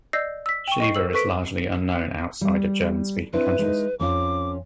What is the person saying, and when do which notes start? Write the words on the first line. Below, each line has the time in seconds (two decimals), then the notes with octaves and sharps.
Shiva is largely unknown outside of German-speaking countries.
0.13 D5 D#5 E6 G6 A#6 C7
0.46 E6 B6
0.68 G5 C#6
0.80 D#5 C#6 C7
0.95 A#4 C5 E6 F#7
1.13 A4 B4 C#6 B6 D7
2.41 G3
3.33 C4 D4 E4 B4
3.59 G#3 D#4
3.99 F2 C#4 F4 D6